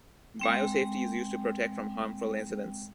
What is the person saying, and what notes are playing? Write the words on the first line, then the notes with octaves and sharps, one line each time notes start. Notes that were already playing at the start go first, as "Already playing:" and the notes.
Biosafety is used to protect from harmful incidents.
G#3 C4 G5